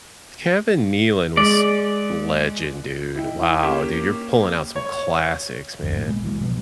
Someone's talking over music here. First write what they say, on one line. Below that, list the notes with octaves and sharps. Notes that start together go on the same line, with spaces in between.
Kevin Nealon was legend, dude. Wow, dude, you're pulling out some classics, man.
G#3 D5
E4 D#5 G5
E4
A#3 C#4 G4 G#6 B6 E7
C#5
A#1 F2
A#1 A2
G#3 B3
C2 E3 F#3 G#3
B2 F3 G3 B3